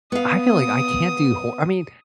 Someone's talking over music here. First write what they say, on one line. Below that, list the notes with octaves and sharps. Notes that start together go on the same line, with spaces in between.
I feel like I can't do hor I mean,
B3 F5 D#6